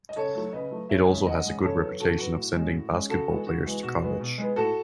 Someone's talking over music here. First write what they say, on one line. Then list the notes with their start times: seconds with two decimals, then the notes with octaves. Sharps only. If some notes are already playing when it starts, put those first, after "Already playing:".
It also has a good reputation of sending basketball players to college.
0.09 D#5
0.16 C#3 A4 C#5
0.35 F#3 A3
0.53 C#3 B4 D#5
0.71 F#3 A3
0.89 F#2 C#5 E5
1.08 C#3 G#3 C#4
1.27 F#2 D#5 F#5
1.45 C#3 G#3 C#4
1.63 C#3 A4 C#5
1.82 F#3 B3
2.00 C#3 F#4 A4
2.18 F#3 B3 F#4
2.36 A2
2.55 G#3 C#4
2.73 A2
2.91 G#3 C#4
3.10 C#3 F#4 A4
3.28 E3 G#3 B3
3.47 C#3 F#4
3.65 E3 G#3 B3
3.83 B2 F#4
4.02 G#3 B3
4.20 B2
4.38 G#3 B3
4.56 A2 F#4 A4